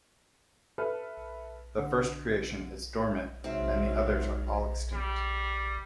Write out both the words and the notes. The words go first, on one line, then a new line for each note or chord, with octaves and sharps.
The first creation is dormant and the others are all extinct.
A4 B4 E5 F6
D3
G#2 C3 F#3 C4 E5 F5
G3